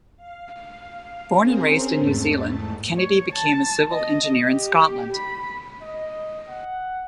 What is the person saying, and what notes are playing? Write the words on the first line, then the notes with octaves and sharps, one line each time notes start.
Born and raised in New Zealand, Kennedy became a civil engineer in Scotland.
F5
C4 C#4 G#4 A#4 C5
E2 G#2 A3 A5
C#5
A5
D#5
G4
B5
D#5
F#5